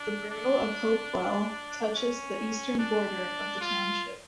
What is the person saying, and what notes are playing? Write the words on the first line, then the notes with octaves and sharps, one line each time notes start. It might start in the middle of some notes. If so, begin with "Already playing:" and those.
The borough of Hopewell touches the eastern border of the township.
Already playing: D4
D4
C#4
D4
F4